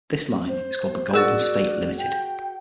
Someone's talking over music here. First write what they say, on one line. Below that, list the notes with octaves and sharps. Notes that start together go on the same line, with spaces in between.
This line is called the "Golden State Limited".
C5
F#4 G#4 A#4 D5 E6 A6
G5